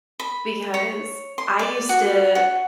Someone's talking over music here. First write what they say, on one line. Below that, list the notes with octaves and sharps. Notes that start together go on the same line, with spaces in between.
because I used to
B5
C#5
C6
D5
F#4
F#4